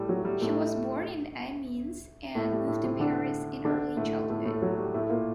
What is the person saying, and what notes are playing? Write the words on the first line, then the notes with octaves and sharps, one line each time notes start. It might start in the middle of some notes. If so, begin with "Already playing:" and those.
She was born in Amiens and moved to Paris in early childhood.
Already playing: A2 G3 A3
F#3
G3
A2 A3
A2 A3
G3
A2 A3
C3 C4
D3 D4
D3 D4
A2 A3
A2 A3
A2 A3
F#3
G3
A2 A3
A#2 A#3